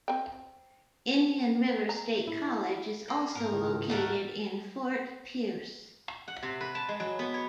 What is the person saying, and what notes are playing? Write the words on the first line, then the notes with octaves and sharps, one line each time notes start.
Indian River State College is also located in Fort Pierce.
C4 G5
A#5
E4
A#3
G#2 A#4
C#2 A2 D#3
A3 F#4 A#4
F#5
C3
B4
A5
G#3
F#3
B3
C#5